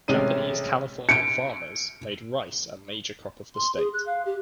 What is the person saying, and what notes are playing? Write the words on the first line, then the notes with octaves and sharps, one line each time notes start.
Japanese Californian farmers made rice a major crop of the state.
A1 C3 G#3 C#4 D#7
C#7 D7
C6
G#4
F#6
F5
G4